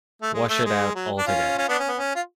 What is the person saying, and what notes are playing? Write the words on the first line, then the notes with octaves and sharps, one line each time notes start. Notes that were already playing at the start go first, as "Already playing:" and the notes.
Wash it out altogether.
A3
G#3
A3
G#3
F#3
D4
C#4 F4
C#4 F4
B3 D4
C#4
B3
C#4
F4